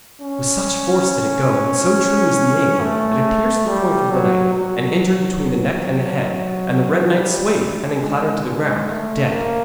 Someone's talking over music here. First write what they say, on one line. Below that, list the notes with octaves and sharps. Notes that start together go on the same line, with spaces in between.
With such force did it go, and so true was the aim, that it pierced the coif of the knight, and entered between the neck and the head, and the red knight swayed and then clattered to the ground, dead.
C#4
A3
G3
F#3
F#3
G3
G#3
G#3
A3
A#3